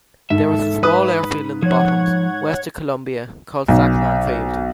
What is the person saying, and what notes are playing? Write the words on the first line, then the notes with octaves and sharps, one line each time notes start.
There is a small airfield in the Bottoms west of Columbia called Sackman Field.
G#2 A4 E5
B4 B5 D#6
F3 C#5 F#5 G#6
B1